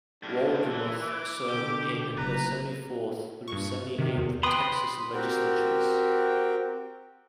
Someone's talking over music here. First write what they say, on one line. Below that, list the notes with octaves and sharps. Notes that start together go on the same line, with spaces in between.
Wohlgemuth served in the Seventy-fourth through Seventy-eighth Texas Legislatures.
A2 A#3 D4
E3
D6
B2 D3 G4
F#1 B4 A#5
G2 C#6
C3 D#3
E2
B4 G5 B5 C6 D#6
C4 F#4 G4 A#4 G5